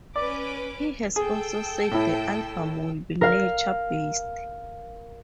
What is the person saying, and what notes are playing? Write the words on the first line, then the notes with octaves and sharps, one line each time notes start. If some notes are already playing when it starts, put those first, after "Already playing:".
He has also said the album will be "nature-based".
C#4 B4 D5 D6
G#4 A4 G5 E6
A2 E4
A#4 F5